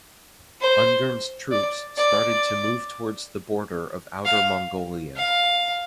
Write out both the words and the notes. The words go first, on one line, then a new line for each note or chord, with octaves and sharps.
Ungern's troops started to move towards the border of Outer Mongolia.
C5
D5
D5
F5
F5